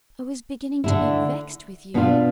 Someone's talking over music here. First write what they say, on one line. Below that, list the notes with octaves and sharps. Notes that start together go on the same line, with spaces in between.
I was beginning to be vexed with you.
D3 A3 E4
B2 B3 D4 F4